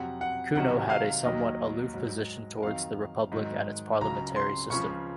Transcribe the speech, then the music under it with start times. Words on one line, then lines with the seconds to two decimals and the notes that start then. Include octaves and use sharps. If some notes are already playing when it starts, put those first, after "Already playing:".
Cuno had a somewhat aloof position towards the republic and its parliamentary system.
Already playing: F2 C3 F#3 F#5
0.21 F#5
0.55 C2 C3 D#3 F#3 F#5
0.90 F5
1.24 D#2 D#3 F#3 D#5
1.94 G#2 F#3
2.62 F2 D#3 F#3 F5
3.32 G#2 D#3 F#3
4.01 C#2 C#3 F#3 A#5
4.36 C6
4.70 C#2 C#3 F3 C#6